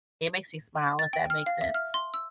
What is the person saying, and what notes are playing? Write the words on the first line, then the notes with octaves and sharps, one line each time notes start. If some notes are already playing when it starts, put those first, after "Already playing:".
It makes me smile, if that makes sense.
A6
G5
F6
F5
E5
F6
C6
E6